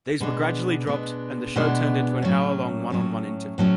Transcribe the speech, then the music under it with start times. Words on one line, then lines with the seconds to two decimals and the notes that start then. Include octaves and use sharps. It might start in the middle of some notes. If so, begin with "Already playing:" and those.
These were gradually dropped and the show turned into an hour-long one-on-one interview.
0.20 B2 G#3 B3 D4
0.87 B2 G#3 B3 D4
1.56 B2 G#3 B3 D4
2.22 A2 F#3 C#4
2.90 A2 F#3 C#4
3.58 A2 F#3 C#4